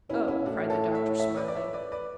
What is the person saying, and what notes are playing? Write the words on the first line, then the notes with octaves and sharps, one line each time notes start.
"Oh," cried the doctor, smiling.
B2 C#4 E4
C#4 E4
A2 D4 F#4
A4 C#5
C#5 E5
C#5 E5
B4 D5
D5
C#5 E5
B4 D5
B4 D5